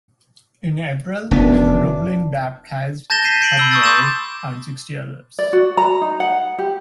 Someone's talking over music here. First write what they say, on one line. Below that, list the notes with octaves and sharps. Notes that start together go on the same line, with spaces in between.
In April Reublin baptized Hubmaier and sixty others.
F1 F#2 E3 B3 D4
A5 G6 A6 A#6 E7 G7
A6 B6 C7 D#7 E7 G7
G6 C7 D7 F#7
B5 E6 G7
C#6 D#6 E6 G6 A6
C6 D6 G6 A6 E7
D5
F#4
A#5
D#4
F#5
G4